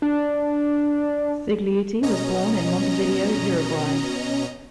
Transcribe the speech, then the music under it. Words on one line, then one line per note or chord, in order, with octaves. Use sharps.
Cigliuti was born in Montevideo, Uruguay.
D4
B2 C#4 D#5 A#5